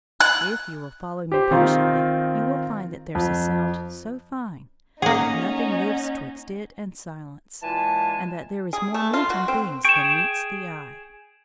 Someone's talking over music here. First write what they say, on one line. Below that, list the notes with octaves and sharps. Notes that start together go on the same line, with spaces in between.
If you will follow me patiently, you will find that "there's a sound so fine, nothing lives 'twixt it and silence," and that there is more meant in things than meets the eye.
F#6
G4 C5
D#3 C4 D#4 F4
F2
A#3 C#4 D#4 G#4 F#5
A#2 E3 G#3 G#5 A5
G#4
A3
F4
F#4
C4
G#4 G5 C#6 D7 E7